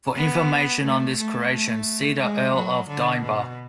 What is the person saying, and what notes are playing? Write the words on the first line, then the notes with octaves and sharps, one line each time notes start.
For information on this creation, see the Earl of Denbigh.
B3
A3
A3
A3
G#3
F#3
D3
B2